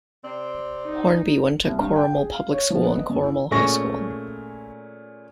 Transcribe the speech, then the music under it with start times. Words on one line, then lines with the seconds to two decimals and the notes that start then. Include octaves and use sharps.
Hornby went to Corrimal Public School and Corrimal High School.
0.23 C3 C4 D5
0.86 D#4
1.66 C2
1.79 G2
1.96 G5
2.13 G#4
2.32 F5
2.51 C#5
2.70 F3
2.84 B3
2.96 D#5
3.10 F#2
3.23 E4
3.51 A#2 A3 C#4 G#4 C#6 A#6